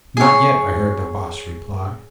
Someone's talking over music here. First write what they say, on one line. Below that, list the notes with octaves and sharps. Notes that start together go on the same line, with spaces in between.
"Not yet," I heard the Boss reply.
G#4 C#5